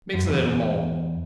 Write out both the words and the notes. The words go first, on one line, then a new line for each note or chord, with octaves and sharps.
Mix a little more!'
F#2
E2